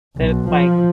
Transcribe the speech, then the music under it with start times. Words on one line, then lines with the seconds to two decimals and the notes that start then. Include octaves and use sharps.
that's, like,
0.17 B1
0.52 F3